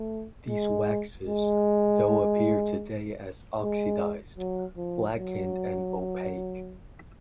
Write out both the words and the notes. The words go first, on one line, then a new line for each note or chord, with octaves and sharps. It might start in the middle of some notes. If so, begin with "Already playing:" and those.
These waxes, though, appear today as oxidized, blackened and opaque.
Already playing: A3
G#3
G#3
G#3
F#3
F3
F#3